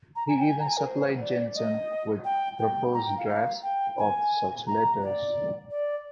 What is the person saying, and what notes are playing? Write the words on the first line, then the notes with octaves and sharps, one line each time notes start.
He even supplied Jensen with proposed drafts of such letters.
A#5
G#5
G5
G#5
A#5
G#5
A#4
C5
D5
D#5
G5
G5
A#5
G5
F5
F5
G5
G#5
A#5
D5
D5